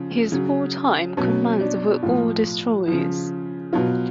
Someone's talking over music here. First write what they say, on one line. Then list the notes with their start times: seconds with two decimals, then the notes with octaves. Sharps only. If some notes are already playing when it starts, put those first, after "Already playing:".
His wartime commands were all destroyers.
Already playing: C#3 F3
0.32 C#3 F#3
1.17 B2 F#3 C#4
1.60 D4
2.03 A2 F3 F4
2.87 C#3 F3
3.73 B2 F#3 F4